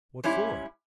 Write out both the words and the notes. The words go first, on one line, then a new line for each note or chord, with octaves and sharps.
"What for?"
G#2 G3 C#4 E4